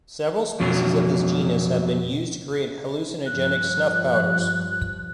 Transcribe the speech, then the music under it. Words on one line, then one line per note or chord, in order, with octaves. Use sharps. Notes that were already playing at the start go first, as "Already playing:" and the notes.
Several species of this genus have been used to create hallucinogenic snuff powders.
F2 B2 F#3
G2 F3 F#6